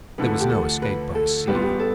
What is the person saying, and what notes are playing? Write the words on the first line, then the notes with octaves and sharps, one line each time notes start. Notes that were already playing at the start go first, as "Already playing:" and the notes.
There was no escape by sea.
D2 D3 F3 A3 B4
G4
A4
B4
A4
A1 G2 E3 G3 B3 G4
F4
G4
A4